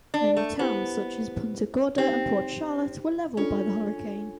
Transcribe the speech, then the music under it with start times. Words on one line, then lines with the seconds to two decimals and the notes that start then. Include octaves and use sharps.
Many towns such as Punta Gorda and Port Charlotte were leveled by the hurricane.
0.14 D4
0.37 A3
0.59 B3 E4 G4 C5
1.98 C4 D#4 G4 C5
3.37 C#4 D4 F4 A4